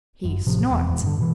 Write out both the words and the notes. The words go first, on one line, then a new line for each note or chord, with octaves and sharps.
He snorts.
G1 F#2
A1 C3 F3
E1 E2
E1 E2
G2 D3
G2 B2 D#3 E3